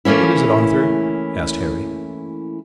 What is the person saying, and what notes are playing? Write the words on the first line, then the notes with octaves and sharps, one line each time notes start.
"What is it, Arthur?" asked Harry.
E3 A3 A#3 C#4 E4